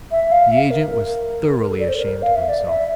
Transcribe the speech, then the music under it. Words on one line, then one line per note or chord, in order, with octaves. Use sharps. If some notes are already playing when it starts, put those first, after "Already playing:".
The agent was thoroughly ashamed of himself.
E5
F5
E5
A#4
A#4
A#4
A4
D5
C5
A#4
F5
E5
D5
E5